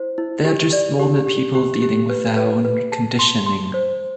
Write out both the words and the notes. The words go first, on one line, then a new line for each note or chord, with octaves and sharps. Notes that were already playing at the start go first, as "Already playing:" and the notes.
They are just normal people dealing with their own conditioning.
Already playing: E4 C5
E4
G4
D5
G4
G4
G4
G4
B4
B4
B4
A5
C6
C6
C5